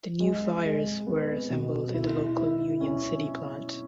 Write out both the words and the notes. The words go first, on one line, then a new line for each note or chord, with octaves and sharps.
The New Flyers were assembled in the local Union City plant.
G#3
G#3
B3
B2
E4
E4
C#4